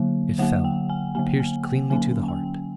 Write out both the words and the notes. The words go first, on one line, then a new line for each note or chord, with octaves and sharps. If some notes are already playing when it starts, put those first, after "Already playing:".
It fell, pierced cleanly to the heart.
Already playing: D3 F#3 A#3
D3 F#3 A#3 F#5
G5
G#5
D3 F#3 A#3 G#5
G#5
G5
D3 F#3 A#3 C#4 G#5
G5